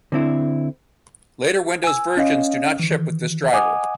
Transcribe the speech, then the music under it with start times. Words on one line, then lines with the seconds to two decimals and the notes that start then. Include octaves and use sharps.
Later Windows versions do not ship with this driver.
0.12 D3 C4 E4
1.84 G#5 E6
2.17 C#4 D#5 F5
2.80 D#3 E3
3.52 D#5 F#5 G#5 D6 D#6